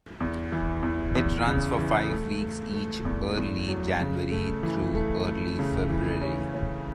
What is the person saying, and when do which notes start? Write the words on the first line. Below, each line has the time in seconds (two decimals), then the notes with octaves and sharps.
It runs for five weeks each early January through early February.
0.20 E2
0.52 E3
0.83 E2
1.15 E2
1.47 C#3
1.78 E3
2.09 A3
2.42 A3
2.73 A3
3.05 E2
3.37 E2
3.68 F#3
4.01 C#3
4.32 A3
4.63 E3
4.95 A3
5.26 A3
5.59 C#3
5.90 E3
6.21 C#4
6.54 C#4